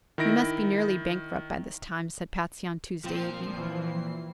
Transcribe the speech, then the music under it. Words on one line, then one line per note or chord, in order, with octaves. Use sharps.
"You must be nearly bankrupt, by this time," said Patsy on Tuesday evening.
D#3 E4 A#6 D7
A#2 F3 C4 C7
E3